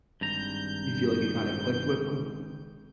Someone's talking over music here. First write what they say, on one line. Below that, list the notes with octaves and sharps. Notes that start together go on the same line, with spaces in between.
You feel like you kinda clicked with 'em?
G#1 G2 A#5 G6